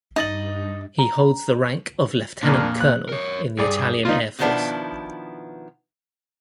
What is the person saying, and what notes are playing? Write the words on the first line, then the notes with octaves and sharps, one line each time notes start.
He holds the rank of lieutenant colonel in the Italian Air Force.
G2 D#4 D#5 A6 F#7
A#5
F2 A#2 A#3 D4
F#6
A#4 C#5
G2 G#4 D5
A#3 D#4 F4
B2 D#3 F3 B3 D4 E4